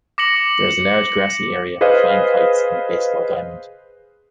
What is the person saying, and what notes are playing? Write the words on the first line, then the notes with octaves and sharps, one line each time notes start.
There is a large grassy area for flying kites and a baseball diamond.
D6 A#6 C#7 F#7
G#4 B4 C5 D#5 F5